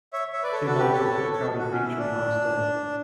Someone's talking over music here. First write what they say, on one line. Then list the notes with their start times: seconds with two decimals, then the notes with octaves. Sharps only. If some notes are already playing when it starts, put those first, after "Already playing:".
Two men talk at a crowded beach on a nice day.
0.13 C#5 E5
0.33 C#5 E5
0.43 B4 D5
0.52 A4 C#5
0.67 F#4 A4
0.79 G4 B4
0.92 A4 C#5
1.32 A4 C#5
1.59 F#4
1.72 C#4
1.84 E4
1.98 D4